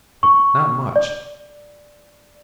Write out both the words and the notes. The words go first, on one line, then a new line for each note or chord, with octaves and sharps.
But not much.
C#6
D5